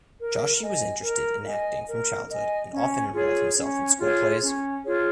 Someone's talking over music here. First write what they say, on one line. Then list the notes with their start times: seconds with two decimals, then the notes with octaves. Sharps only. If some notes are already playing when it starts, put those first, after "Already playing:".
Joshi was interested in acting from childhood and often enrolled himself in school plays.
0.19 A#4
0.61 D#5 G#5
1.03 A#4
1.46 D#5 G#5
1.87 A#4
2.30 D#5 G#5
2.72 C#4
3.14 F4 G#4 C#5
3.57 C#4
3.99 F4 G#4 C#5
4.42 C#4
4.84 F4 G#4 C#5